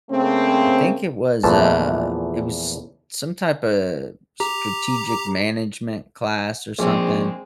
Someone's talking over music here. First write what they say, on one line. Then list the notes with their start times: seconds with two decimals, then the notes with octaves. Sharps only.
I think it was a it was some typa strategic management class or something,
0.10 C#3 A3 A#3 C4
1.43 E2 A#2 E3 F3 A3 A5
4.40 G4 A#5
6.79 A#1 G#3 C4